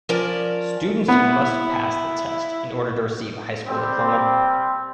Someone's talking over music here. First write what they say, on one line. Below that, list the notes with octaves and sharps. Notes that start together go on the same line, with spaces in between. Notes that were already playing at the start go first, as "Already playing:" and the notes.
Students must pass the test in order to receive a high school diploma.
F3 C#4 A#4 D5 A5
B3 E4
G3 C4